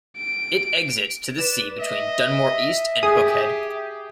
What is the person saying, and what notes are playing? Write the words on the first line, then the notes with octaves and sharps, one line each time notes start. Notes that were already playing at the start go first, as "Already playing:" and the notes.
It exits to the sea between Dunmore East and Hook Head.
D7
B4 D5 E7
D#5 E5
G4 G#4 D#6